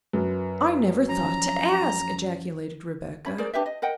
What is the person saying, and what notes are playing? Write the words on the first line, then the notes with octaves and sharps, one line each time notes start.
"I never thought to ask!" ejaculated Rebecca.
F#2 B4
F3 C#4 A#5
C#4 C#5 E5 B5
G#4 A#4 C5 D5
D4 G4 B4 E5
D#5
A#4 D#5 F#5 G5